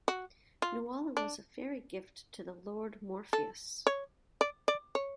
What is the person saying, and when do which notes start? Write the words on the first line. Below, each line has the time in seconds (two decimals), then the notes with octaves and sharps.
Nuala was a faerie gift to the Lord Morpheus.
0.08 F#4
0.62 F4
1.17 D4
3.33 A4
3.87 C#5
4.41 D5
4.68 D5
4.95 C#5